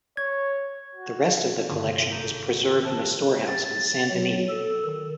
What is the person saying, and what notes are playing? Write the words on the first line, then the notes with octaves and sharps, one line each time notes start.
The rest of the collection is preserved in a storehouse in Saint-Denis.
C#5 G#6
F#4
D#1 G2 D3 D#3 C6 D#6
C3
G#1 A4 F5 A#5 G6 E7
D#3 B3 E4 F#4
A#4 A5 B5 D#6 F6 F#6
A6
F#3
A4
D#3